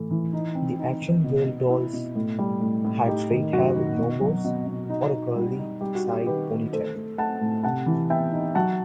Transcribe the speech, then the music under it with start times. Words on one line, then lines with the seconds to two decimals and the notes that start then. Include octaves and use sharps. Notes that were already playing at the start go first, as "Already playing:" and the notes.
The Action Girl dolls had straight hair with no bows, or a curly, side-ponytail.
Already playing: A2 E3 A3
0.11 E3
0.33 D#4
0.55 C4
0.79 D#4
1.02 D#3
1.24 B2
1.47 B2
1.69 E4
1.93 B2
2.15 A2
2.39 G3
2.61 A2
2.85 A2
3.06 D#4 G4
3.31 D#3
3.53 F#2 F#4
3.76 D#3
3.99 B2
4.21 F#3
4.45 B2
4.67 B2
4.90 D#4
5.13 D#4
5.36 G3
5.58 D#4
5.81 G3 G4
5.95 F#4
6.04 D#4 G4
6.26 D#3 G4 B4
6.50 D#3
6.73 A3 A4 C5
6.95 A3
7.18 A3 F#5 A5
7.41 A2
7.63 C3 F#5 A5
7.86 E3
8.10 B3 E5 G5
8.33 D#4
8.55 F#3 F#5 A5